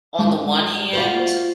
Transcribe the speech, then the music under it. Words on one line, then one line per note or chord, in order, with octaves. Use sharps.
on the one hand
G#3
F4 F#4 C5